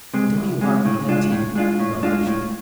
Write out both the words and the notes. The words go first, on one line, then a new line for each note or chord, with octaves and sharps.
"W-r-e-n-t!" spelled Lucian.
C3 G#3
C2
C3 G#3
A2
G#3 D4 F4
A2
G#3 D4 F4
A2
G#3 D4 F4
A2